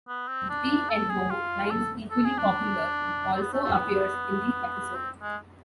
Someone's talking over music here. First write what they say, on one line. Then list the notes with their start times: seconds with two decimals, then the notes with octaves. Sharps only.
P and O Line's equally popular also appears in the episode.
0.08 B3
0.28 C4
0.50 D4
0.90 A4
1.09 G#4
1.30 F4
1.71 A4
2.11 A4
2.25 G#4
2.38 D4
3.33 C4
3.43 B3
3.53 A3
3.63 A3
3.73 B3
4.95 C4
5.22 G#3